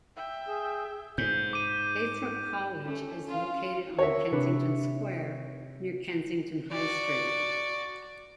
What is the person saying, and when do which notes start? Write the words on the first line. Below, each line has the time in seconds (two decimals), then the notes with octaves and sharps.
Heythrop College is located on Kensington Square, near Kensington High Street.
0.16 E5 G5
0.48 G#4
1.18 G#2 G6
1.53 D6 D#7
2.85 A3 C#4
3.28 F4 F5
3.99 F#4 A#4 C#5 E5 F#5
4.32 C3 D4 B4
6.72 F#4 D5